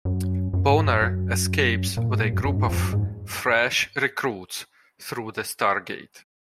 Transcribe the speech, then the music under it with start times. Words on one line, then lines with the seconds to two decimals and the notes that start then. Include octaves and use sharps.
Bonner escapes with a group of fresh recruits through the Stargate.
0.05 F#2
0.54 F#2
0.69 G#2
0.85 F#2
1.01 F#2
1.97 A#2
2.09 G#2
2.21 A#2
2.33 F#2
2.45 F#2
2.57 G#2
2.69 F2
2.81 F#2
2.93 G#2